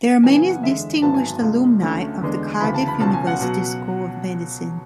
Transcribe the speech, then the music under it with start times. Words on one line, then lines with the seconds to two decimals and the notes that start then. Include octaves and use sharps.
There are many distinguished alumni of the Cardiff University School of Medicine.
0.23 F#1 F#2 E3 B3 G#5
0.36 G#5
0.50 F#5
0.63 E2 D3 G#3 E5
1.02 G#1 G#2 F#3 B3 A5
1.14 G#5
1.26 A5
1.42 C#2 C#3 G#3
1.82 D2 D3 A3 C#4
2.21 E2 D3 G#3 B3 D4
2.60 D2 C#3 E3 B5
2.74 A5
2.88 B5
3.00 C#2 B2 F#3 C#4 A5
3.13 G#5
3.27 F#5
3.41 B2 F#3